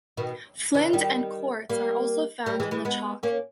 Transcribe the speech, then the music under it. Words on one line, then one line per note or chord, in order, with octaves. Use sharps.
Flint and quartz are also found in the chalk.
B2 D#3
C#3 E3
D#3 G3
G3 A#3
G3 A#3
E3 G#3
E3 G#3
G#3 B3
A#3 C#4